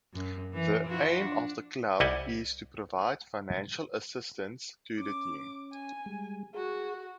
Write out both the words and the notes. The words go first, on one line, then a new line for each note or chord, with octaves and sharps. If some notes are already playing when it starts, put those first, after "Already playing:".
The aim of the club is to provide financial assistance to the team.
F#2
E3
F3 E4 F#4
D4
C2 G3 E4 D#5 F#5 G#5
C#4 D6
G#5
G3 G#3
F#4 G#4